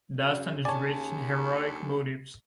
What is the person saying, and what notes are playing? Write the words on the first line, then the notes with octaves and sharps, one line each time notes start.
Dastan is rich in heroic motives.
F#2 C#3
D#2 C#5 D5 G#5 A5